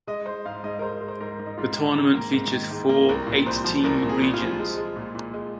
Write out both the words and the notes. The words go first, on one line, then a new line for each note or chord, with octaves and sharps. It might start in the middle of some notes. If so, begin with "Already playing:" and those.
The tournament features four eight-team regions.
G#3 D#5
G#3 C5
G#2 F5
G#2 D#5
A#4
G#3 C5
G#3
C5
G#2 A#4
G#2
D#4
G#2 F4
D#3
G#2
A#3
G#2
D#3
G#2
A#3
C2 A#4
A#2
C2 C5
F3
C2 A#4
A#2
G#4
C2
F4
F3
G#3
G#3
A#2
A#2
G#3